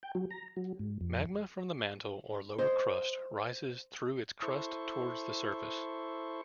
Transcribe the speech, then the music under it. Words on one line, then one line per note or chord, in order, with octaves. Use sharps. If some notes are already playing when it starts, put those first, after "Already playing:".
Magma from the mantle or lower crust rises through its crust towards the surface.
G5
F#3
A#5
F#3
G#2
F2
C5 D#5
E4 A4 C5 C#6